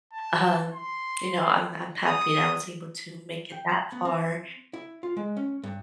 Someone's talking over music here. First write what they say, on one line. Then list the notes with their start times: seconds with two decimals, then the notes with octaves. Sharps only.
um, you know, I'm I'm happy that I was able to make it that far
0.13 A5
0.72 C6
2.05 D#6
3.52 G5
3.69 A#5
3.92 B3
4.05 C4
4.73 E4
5.03 F4
5.17 G#3
5.37 C#4
5.63 G2